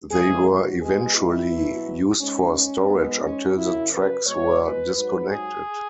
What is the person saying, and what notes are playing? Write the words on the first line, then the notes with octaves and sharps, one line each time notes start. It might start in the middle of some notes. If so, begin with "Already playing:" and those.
They were eventually used for storage until the tracks were disconnected.
E2 C#3 E3 G#3 G#4
F#4
B2 G#3 G#4
E4
B2 F#3
G#2 G#3 C#4
C#4
G#2 B3
G#3
C#4
F#2 C#3 F#3 E4
B4
B2 G#3 C#5
B4
G#2 F#3 B4
G#4